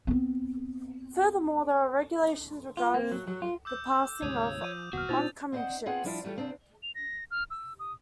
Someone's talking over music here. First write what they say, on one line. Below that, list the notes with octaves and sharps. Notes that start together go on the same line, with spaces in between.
Furthermore, there are regulations regarding the passing of oncoming ships.
B3 C4
F4
A#3
F#3
F#3
F4
D6 E6 G6
D2 G#2 C3 C#5 D#6 D#7
F3 G6 D#7
F#1 D#2 B2 F#4 F#5 F6
A#2 C4 D#4 F4 C5 A6 F7
C4 D4 C5 C#5 D#5 F#5
B3 C4 F4 G#4 F#5
F3 G3 D4 E4 F4
E3 G3 A3 F4 C#5
E2 C#3 C4 D4
F7
A#6
F6
E6
D#6